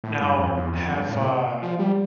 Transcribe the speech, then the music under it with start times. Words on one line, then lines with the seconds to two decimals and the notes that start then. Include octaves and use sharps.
Now, have, uh
0.04 A2
0.21 G2
0.38 F2
0.57 E2
0.73 F2
0.92 G2
1.09 A2
1.21 C3
1.62 F3
1.79 G3